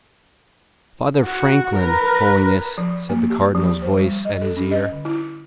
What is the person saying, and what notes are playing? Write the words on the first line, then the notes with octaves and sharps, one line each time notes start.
"Father Franklin, Holiness," said the Cardinal's voice at his ear.
F#4
A#4 B4
F3
A#3
G4
F3
C5
G3
D#5
A4
C#4
D#5
D3
E4